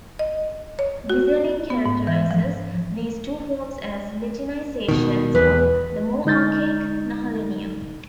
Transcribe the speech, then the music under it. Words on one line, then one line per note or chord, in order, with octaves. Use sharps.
Gysseling characterizes these two forms as Latinisations of the more archaic "Nehalennia".
D#5
C#5
F#4
B3
G#2
E3
F3
B2 D#3
E2 B4
D3 G#3 D#4 G6 A6